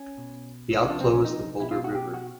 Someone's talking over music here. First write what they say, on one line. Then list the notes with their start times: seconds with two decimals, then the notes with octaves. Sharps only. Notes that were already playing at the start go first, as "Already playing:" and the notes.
The outflow is the Boulder River.
Already playing: C#4
0.18 B2
0.82 C#4
0.89 C3 F3 D4
1.01 C4
1.13 C#4
1.25 D#4
1.60 B2 E4
1.71 F4
1.84 F#4
1.95 G4
2.14 F#4